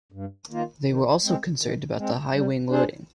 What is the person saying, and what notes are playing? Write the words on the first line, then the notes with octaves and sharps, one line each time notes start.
They were also concerned about the high wing loading.
G2
D#3 A#3 F4
D#3
G#3 C4
D#3
G#3 C4
G3
D4 G#4 C5